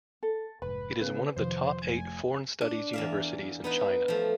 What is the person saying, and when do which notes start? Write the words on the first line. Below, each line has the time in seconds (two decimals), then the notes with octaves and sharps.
It is one of the top eight foreign studies universities in China.
0.23 A4
0.62 F1 G#2 B4 B5
1.01 C#3 B3 B4
1.36 F2 C3 D#3 F3 C5
1.82 F1 G#5
2.61 D4
2.93 E2 E5 F5
3.64 B3 D#4 B4
4.08 F3 A3